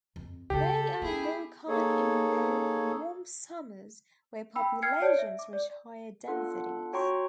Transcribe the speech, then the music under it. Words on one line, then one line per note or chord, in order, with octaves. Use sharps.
They are more common in long, warm summers where populations reach higher densities.
F2
C#3 G#3 G4 A4
B3 E4 G#4
A#3 D#4 G#4 A4 C#5
G5 B5 E6
G5 F6 G#6 C7 C#7
C#5 D5 A5 D7
E5
D6
D5
B3 D4 F4 A4 F#5
F#4 C#5 G5 A#5 C6 C#6